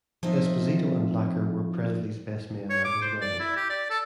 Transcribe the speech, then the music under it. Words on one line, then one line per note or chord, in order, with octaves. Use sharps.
Esposito and Lacker were Presley's best men at his wedding.
F3 C4 D#4 F4 E5
C#5
D6
C5
D5
E4
G4
D5
A4